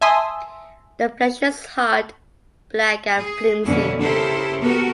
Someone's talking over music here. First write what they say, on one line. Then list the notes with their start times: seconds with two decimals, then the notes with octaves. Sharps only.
The flesh is hard, black, and flimsy.
0.01 E5 G#5 A5 C6 D#6 E6
3.17 G#4
3.64 F2 B2 D3 A#3 C#4 E4
4.01 C#3 E4 G4 A4 A#4 C5
4.61 B3 F#4 G4 A4 A#4